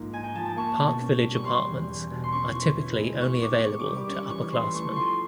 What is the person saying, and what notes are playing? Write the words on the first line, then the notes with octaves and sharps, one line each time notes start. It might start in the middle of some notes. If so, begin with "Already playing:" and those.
Park Village apartments are typically only available to upperclassmen.
Already playing: G#2 F3 A#3
D#4 G#5
G5
F3 A5
A5
A#3 C#6
B2
C#4
G3
C#6
G3 C6
E2
E2
B2
C6
C#4 C#6
E3
E4
G#3
B3 C#6
D#3 D6
D#3 C#6
D6
G3
D6
C#4 C#6
E3 C#6
E3 C6
A3 C#6
F3 C6 C#6